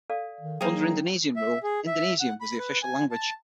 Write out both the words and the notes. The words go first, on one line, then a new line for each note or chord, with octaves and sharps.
Under Indonesian rule, Indonesian was the official language.
A4 D5 F5
D#3
F#3 A#3 G#4 C5 G5
D#4
E5
G#4
E5
F#5
B5
B4
G#5
A5